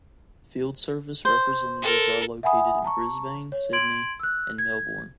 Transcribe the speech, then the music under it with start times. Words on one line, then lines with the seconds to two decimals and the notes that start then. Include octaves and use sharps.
Field Service representatives are located in Brisbane, Sydney and Melbourne.
1.25 C5
1.82 A4 A#4
2.43 E5 F#5 G#5 B5 D#6
2.84 A5 A#5 C#6
3.52 C#5
3.73 C6 G#6 D7 F#7
4.20 E6 F#6
4.58 G#6